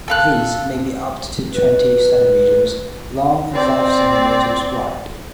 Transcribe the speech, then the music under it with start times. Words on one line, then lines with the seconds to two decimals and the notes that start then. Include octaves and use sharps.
These may be up to twenty centimetres long and five centimetres wide.
0.08 A4 F5 F#6
1.54 B4
3.54 C4 D5